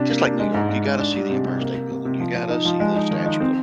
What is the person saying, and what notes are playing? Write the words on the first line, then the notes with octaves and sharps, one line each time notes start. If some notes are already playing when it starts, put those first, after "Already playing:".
just like New York, you gotta see the Empire State Building. You gotta see the Statue of
Already playing: C3 D4
A#3
D4
G#3
G#2
G#2
G#2
D4
G3
C3
C3
A#3
A#3
C3
C3
F3
F3
D#4
F3
G#3
D#4
D#3
D#4
C4